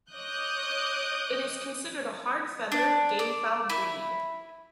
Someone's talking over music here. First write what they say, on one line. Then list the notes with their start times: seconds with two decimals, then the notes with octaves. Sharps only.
It is considered a hard-feathered, gamefowl breed.
0.11 C#5 D#5 D6 D#6 F#6 G6
2.72 D4
3.19 D5
3.69 E4